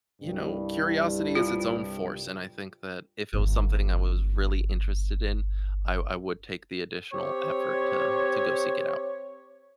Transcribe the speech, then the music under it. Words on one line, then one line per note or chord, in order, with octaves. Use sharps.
you know, curiosity is its own force, and I think that if it was something I was really interested in, I w I would take the additional effort to to go seek it out.
C2 G2 G3
F4
G1 F#2
C4 G4 C#5